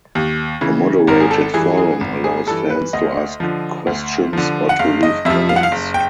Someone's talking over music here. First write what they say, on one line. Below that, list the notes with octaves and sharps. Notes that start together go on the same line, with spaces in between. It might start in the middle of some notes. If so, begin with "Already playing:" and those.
A moderated forum allows fans to ask questions or to leave comments.
D#2
C#3 E3
G#1 A#4
G#4
A4
G2 E3 G#4
G#4
G#1
G#4
G2 E3 A4
B4
D2 D#5
D3 F3
D2
D3 F3
F#5
F#1 F5
D#5
F2 C3 F3 E5
F5
F#5
F5
F#1
G5